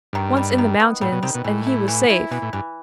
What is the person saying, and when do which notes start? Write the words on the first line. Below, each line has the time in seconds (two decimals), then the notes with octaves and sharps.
Once in the mountains and he was safe!
0.13 G2 D#3
0.37 G3
0.58 D#3
0.80 B3
1.01 A2 G3
1.12 B2
1.23 C3 D#3
1.35 B2
1.44 A2 E3
1.67 E4
1.88 E3
2.10 E4
2.31 B2 E3
2.42 A2
2.53 G2 E3